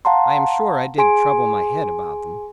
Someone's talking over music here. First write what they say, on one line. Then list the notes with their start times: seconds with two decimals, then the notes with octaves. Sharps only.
I am sure I did trouble my head about them.
0.05 F5 F#5 A5 A#5 C6
0.98 G#4 G#5 C6 D7